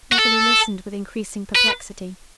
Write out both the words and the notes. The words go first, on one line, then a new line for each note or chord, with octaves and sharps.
Beverly listened with increasing perplexity.
F#4
A4
B4